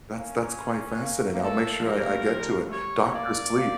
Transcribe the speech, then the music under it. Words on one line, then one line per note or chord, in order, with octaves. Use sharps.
That's that's quite fascinating. I'll make sure I I get to it. Doctor Sleep.
A#3 C#4
A#3
A#3
A3 A4
F3
G3 A#4
G3
A#3
A3
G3
F3
G3
A3
G3 C#5
A#3 D5
A#3